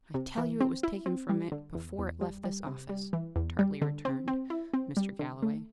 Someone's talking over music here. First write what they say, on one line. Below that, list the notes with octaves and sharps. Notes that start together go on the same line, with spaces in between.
"I tell you it was taken from it before it left this office," tartly returned Mr. Galloway.
C3
E3
C4
E4
C4
G3
D3
E2
E2
G3
G3
C3
G3
E3
E2
G3
D3
C4
C4
E4
C4
G3
D3
A3